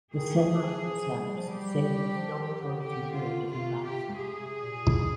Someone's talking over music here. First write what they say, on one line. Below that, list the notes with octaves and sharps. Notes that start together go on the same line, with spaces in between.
The Semai themselves say There is no authority here but embarrassment.
D#3 G#4
F3
F3
G3
F3
G3 G4
F3
D#3
D3
D3 G4
F4
C3 F4
G4
C3 G#4
C3
A#2
D3